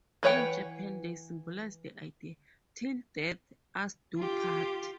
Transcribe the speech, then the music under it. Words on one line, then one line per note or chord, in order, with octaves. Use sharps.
In Japan they symbolise the idea "till death us do part".
E3 B4 C#5 F#5 G5
F4 G4